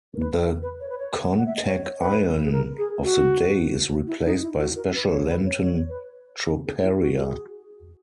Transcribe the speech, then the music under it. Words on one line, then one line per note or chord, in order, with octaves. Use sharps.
The Kontakion of the Day is replaced by special Lenten troparia.
A#4
B4
A#4
B4
C#5
B4
C#5
F#5
E5
D#5
C#5
C#5
B4
G#4
A#4
G#4
F#4
E4
D#4
E4
F#4
A#4
B4
C#5
B4
C#5
C#5
B4
G#4
E4
F#4
G#4